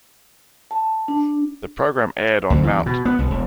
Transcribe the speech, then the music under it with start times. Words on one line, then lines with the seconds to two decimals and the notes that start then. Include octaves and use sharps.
The program aired on Mt.
0.71 A5
1.08 D4
2.50 D2
2.63 E2
2.86 B2
3.05 B3
3.19 C2
3.31 E1